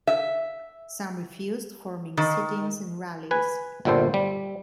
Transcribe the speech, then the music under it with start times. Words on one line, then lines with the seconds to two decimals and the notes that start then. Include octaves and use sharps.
Some refused, forming sit-ins and rallies.
0.07 E5
2.17 D#3
3.31 B4 G#5
3.85 G1 A#2 G3 A4 C5
4.14 G3